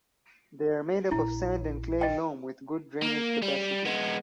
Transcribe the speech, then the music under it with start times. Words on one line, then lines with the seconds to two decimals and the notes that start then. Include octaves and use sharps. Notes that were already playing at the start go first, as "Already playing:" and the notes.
They are made up of sand and clay loam with good drainage capacities.
1.11 A#1 E4
2.01 D#5 G5
3.02 A#3
3.43 G3
3.86 G#3 B3